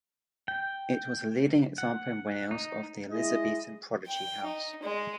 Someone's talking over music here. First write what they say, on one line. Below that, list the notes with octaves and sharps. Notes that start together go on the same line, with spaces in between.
It was a leading example in Wales of the Elizabethan prodigy house.
G5
F#5
D#4
G#3 E4 D#5
G5
D#4
G#3